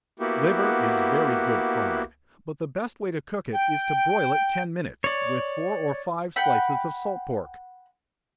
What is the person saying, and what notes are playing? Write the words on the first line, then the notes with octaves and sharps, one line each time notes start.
Liver is very good fried, but the best way to cook it, is to broil it ten minutes, with four or five slices of salt pork.
A#3 B3 E4 F#4 G4
G5
C#5 D5
F#5 G5 B5